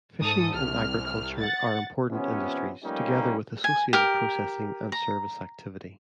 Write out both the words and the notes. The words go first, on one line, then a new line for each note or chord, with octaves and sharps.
Fishing and agriculture are important industries, together with associated processing and service activity.
G#2 A4 D#6
C2 F6
F#5 A6
C3 F3 B3 C#4
F3 G3 A3 A#3 C#4 D#4
G#5
G4 A#4
A#5